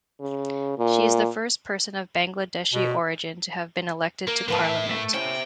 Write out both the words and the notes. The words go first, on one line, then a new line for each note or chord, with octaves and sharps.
She is the first person of Bangladeshi origin to have been elected to Parliament.
C#3
A#2
B2
A#3 A#4
C#2 A2 F3 A#4 B4 A5
E5
A3
A2 C#4 C5 E5 G5